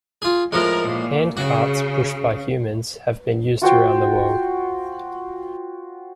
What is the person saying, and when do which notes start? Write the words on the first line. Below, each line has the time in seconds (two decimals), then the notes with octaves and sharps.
Hand-carts pushed by humans have been used around the world.
0.22 F4 G#4
0.52 A2 F3 G#3 A#4
0.87 A#2
1.37 C#3 F#4
3.62 F4 F#4 C5 G5